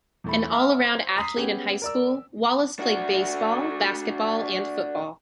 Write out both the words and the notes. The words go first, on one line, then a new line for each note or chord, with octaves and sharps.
An all-around athlete in high school, Wallace played baseball, basketball and football.
E2 A3 B5
E5 F#5 A5 B5 E6 F6
C5
A#5 D#6 B6 C7
B3 C#4 G4 G#4
A#4 D5 E6
D4 F#4